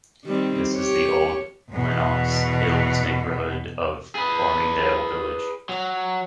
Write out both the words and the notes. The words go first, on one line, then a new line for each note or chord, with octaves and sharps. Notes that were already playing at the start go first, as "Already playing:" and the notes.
This is the Old Lenox Hills neighborhood of Farmingdale Village.
D#3 G3 C4
G4 C#5
E2 B2
G#4 B4
F#3